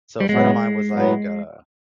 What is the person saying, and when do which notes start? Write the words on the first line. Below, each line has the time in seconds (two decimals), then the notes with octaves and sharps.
so, a friend of mine was, like, uh
0.20 G3
0.29 A2 F#3 G#3 B3
0.92 A2 F#3 B3